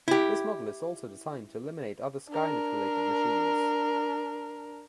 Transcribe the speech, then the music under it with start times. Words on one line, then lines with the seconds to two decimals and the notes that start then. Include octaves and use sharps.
This model is also designed to eliminate other Skynet-related machines.
0.08 E4 G4
2.29 D4 A#4